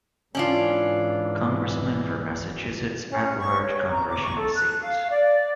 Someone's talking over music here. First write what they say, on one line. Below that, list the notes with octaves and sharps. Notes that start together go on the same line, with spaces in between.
Congressman for Massachusetts's at-large congressional seat.
G#2 E3 C#4 D4 F4
C#4
C#6
C#5
A#5
D6
C#6
A4
F#6
F5
D5